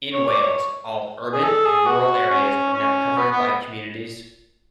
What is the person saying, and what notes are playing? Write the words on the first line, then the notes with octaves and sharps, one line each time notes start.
In Wales, all urban and rural areas are now covered by communities.
C#5
D5
C#5
G#4
A4
G#4
F#4
C#4
C#4
B3
B3